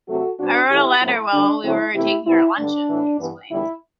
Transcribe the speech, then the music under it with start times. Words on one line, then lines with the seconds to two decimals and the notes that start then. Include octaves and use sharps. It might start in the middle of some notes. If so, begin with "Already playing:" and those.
"I wrote a letter while we were taking our luncheon," he explained.
0.09 C3 F#3 A3 C4 F#4 A4
0.40 B2 G3 C4 D4 F#4
0.71 A2 E3 A3 E4 G4
1.02 A2 F#3 A3 C4 E4
1.33 D2 D3 G3 D4
1.64 D2 D3 F#3 A3 C4 E4
1.95 C3 E3 A3 C4 E4 G4
2.27 C3 G3 B3 E4
2.58 G2 D3 G3 D4
2.89 A2 E3 B3
3.20 G2 E3 B3
3.51 E2 D3 G3 E4